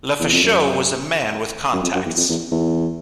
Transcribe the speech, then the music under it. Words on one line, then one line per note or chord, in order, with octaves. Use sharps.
Lefaucheux was a man with contacts.
E2
F2
F#2
F#2
F2
F#2
E2
F2
E2
E2